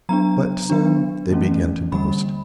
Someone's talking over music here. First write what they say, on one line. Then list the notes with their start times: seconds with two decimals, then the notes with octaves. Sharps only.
But soon they began to boast.
0.09 F#3 B3 D4 A#5
0.70 F#3 B3 D4
1.31 E3 A3 C#4
1.92 D3 G3 A#3 B5